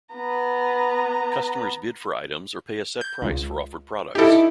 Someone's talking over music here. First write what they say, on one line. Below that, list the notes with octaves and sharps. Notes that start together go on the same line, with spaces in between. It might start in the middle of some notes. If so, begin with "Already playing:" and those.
Customers bid for items or pay a set price for offered products.
B3 A#5
G6
C#2
D#4 E4 G4 A4